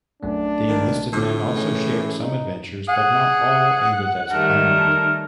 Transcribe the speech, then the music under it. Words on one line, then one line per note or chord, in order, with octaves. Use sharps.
The enlisted men also shared some adventures but not all ended as planned.
A#1 F#2 A3 D4
D#3
A2 D3 F3 C4
E3 C#4 G#4
D#4
G#4 F#5
D#3 G3 A3 A#4